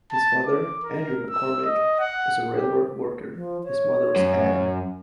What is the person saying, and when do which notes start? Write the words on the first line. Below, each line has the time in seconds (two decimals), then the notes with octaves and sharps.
His father, Andrew McCormick, was a railroad worker; his mother was Ann.
0.12 A5
0.46 D6
0.83 A#4
1.30 E6
1.65 D#5
1.99 F#5
2.55 G4
3.35 F3
3.64 C#5
4.16 F#2